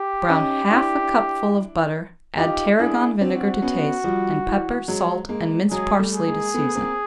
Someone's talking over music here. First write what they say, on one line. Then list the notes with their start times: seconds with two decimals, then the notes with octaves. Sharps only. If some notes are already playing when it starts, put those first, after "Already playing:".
Brown half a cupful of butter, add tarragon vinegar to taste, and pepper, salt, and minced parsley to season.
Already playing: G4
0.29 C#4 D#4
0.71 D4 E4
2.37 D#4 F4 G4
2.79 D4 E4 G#4
3.21 C4 D4 F#4
3.62 B3 C#4
4.04 F3 G3
4.46 E3
4.88 F#3 G#3
5.29 G#3 A#3
5.70 F#3 G#3 G#4
5.99 G3 A3
6.13 G#4
6.26 G#3 A#3
6.54 A3 B3
6.75 A#3 C4